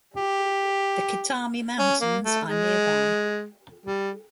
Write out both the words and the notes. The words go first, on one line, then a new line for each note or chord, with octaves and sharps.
The Kitami Mountains are nearby.
G4
C#4
A#3
A3
G#3
G3